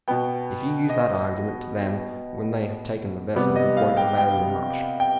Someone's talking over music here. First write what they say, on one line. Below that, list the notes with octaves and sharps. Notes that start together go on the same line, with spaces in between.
But if you use that argument to them when they have taken the vessel, it won't avail you much.
B2 B3 G5
D#5
C3 G3 B3 D5
D#5
F5
G5
G5
G5